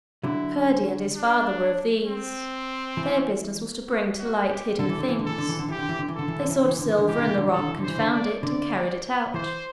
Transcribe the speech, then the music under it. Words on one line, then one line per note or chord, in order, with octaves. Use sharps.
Curdie and his father were of these: their business was to bring to light hidden things; they sought silver in the rock and found it, and carried it out.
D3 F#3 E4
D4
C4
E3
F#4
F#4
G4
D3 A4
E3
D3
E3
D3
E3 A4
D3
E3
D3
E3 G4
D3
E3
D3
E3
D3 A4
E3
D3
E3
D3
E3
D3
E3
D3
E3 G4
D3
E3
D3
E3 A4
D3
E3
D3
C5
E3
D3
D5
D3 D5
E3 C5